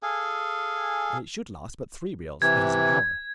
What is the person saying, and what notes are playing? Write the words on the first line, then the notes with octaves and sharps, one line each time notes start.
And it should last but three reels, that is, an hour.
G#4 A4 F5 G#5
C3 E3 G#6